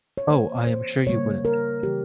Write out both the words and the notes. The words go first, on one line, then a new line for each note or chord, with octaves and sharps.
Oh, I am sure you wouldn’t.
C#5
E3 A#3 C5
C5
C#3 G3 A#3 C#5
A#4
C#3 E3 G3 A#3 G4